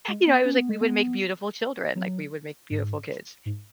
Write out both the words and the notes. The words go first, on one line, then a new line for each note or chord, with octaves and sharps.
you know, I was, like, "We would make beautiful children, like, we would make beautiful kids."
G#3
B3
C#4
B3
G#3
B3
F#3
G#2
G#2